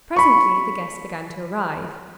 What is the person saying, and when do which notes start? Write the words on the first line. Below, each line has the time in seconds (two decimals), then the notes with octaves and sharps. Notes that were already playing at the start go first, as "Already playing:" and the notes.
Presently the guests began to arrive.
0.16 B5 C#6